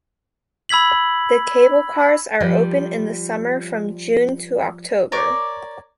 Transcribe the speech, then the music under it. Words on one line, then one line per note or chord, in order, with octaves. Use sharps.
The cable cars are open in the summer from June to October.
B5 E6 G#6 B6 F#7
F3 G3
A#4 C#5 D5 D6